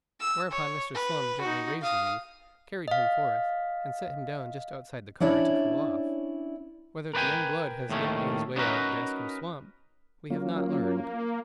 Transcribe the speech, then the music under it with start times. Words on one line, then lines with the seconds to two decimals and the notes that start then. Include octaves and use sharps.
Whereupon Mr. Slum gently raised the youth, carried him forth, and set him down just outside the car to cool off. Whether the young blood has yet made his way out of Bascom's swamp, we have not learned.
0.20 E6
0.51 C#5
0.94 B4
1.41 D#4 F#4
1.82 F5 D#6
2.88 D#5 F5
5.20 C#4 D4 E4 C#5 D5
7.14 A#4 B4 D5 G5 G#5
7.90 D#2 A2 D#3 A3 C#4
8.56 B3 C#4 D#4 F#4 A#4 B4
10.30 F#3 A#3 C#4 F4